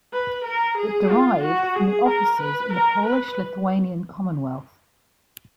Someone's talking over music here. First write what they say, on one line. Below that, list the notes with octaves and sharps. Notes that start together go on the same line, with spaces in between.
It derived from the offices in the Polish-Lithuanian Commonwealth.
B4
A#4
G#4
F4
F#4
G#4
A#4
B4
A#4
B4